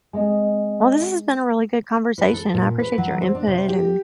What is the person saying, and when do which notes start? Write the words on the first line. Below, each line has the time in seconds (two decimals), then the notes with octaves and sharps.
Well, this has been a really good conversation. I appreciate your input, and
0.13 G#3 C4 D#5 G#5
2.18 B4
2.33 A4
2.54 A#2
2.79 B4
2.98 F#3
3.22 C4
3.35 D4
3.47 C3
3.68 G4